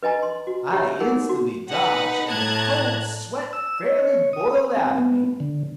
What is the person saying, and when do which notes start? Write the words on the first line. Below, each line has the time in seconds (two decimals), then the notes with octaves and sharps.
I instantly dodged, and the cold sweat fairly boiled out of me.
0.03 B4 D#5 G#5 A#5
0.23 C6
0.47 F#4
0.72 G4 C#5 E5
1.00 D#4 G#4 A#4 F#5
1.29 F#4
1.69 D#4 B4 F#5
2.29 A2 A5 A#5 F#6 G#6
3.53 E6
3.85 C#5
4.33 D#6
4.77 C4
4.98 B3
5.40 D3